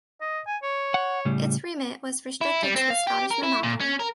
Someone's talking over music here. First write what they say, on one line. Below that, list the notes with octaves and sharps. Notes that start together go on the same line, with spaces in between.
Its remit was restricted to the Scottish monopoly.
D#5
G#5
C#5
F#5
A2 C#3 G3
E4
G3
C4
F5
G4
A#4
E4
A#2
C#4
A#4